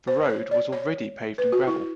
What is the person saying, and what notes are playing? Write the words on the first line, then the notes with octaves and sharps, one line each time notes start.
The road was already paved in gravel.
C5
C#5
D5
C#5
B4
F#4
E4